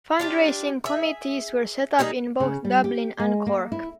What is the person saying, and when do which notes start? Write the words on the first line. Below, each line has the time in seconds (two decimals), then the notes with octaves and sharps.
Fundraising committees were set up in both Dublin and Cork.
0.20 D4 F4 G4
0.84 G#4 E5
1.99 G3 A#3 D#4 G#4
2.40 C#3
2.65 G3
2.84 G4
3.19 G#3
3.47 A#3
3.72 E4